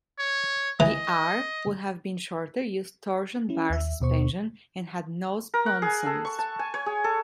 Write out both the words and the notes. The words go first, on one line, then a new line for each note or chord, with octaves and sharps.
The 'R' would have been shorter, used torsion bar suspension and had no sponsons.
C#5
E3 D#5
C#4 E4
D#2 E5
D#2 B2 C5 C#6
A#4
F#5
G#4
A4
C#6
A5
G#5
C#5
G#4
A4